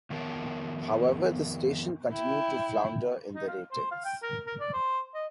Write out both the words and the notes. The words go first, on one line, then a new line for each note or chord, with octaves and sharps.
However, the station continued to flounder in the ratings.
F2 D#3 B3 A#4 C#5 A5
E4 G5
D#4
F5
C5
F5
G5
A#4
A#4
D5
C5
D#5